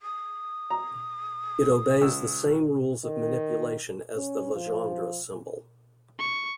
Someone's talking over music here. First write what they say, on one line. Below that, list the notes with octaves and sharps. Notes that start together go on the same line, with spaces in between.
It obeys the same rules of manipulation as the Legendre symbol.
D#6
A#5
C#2 E6
D#3
C#4
F3
C#6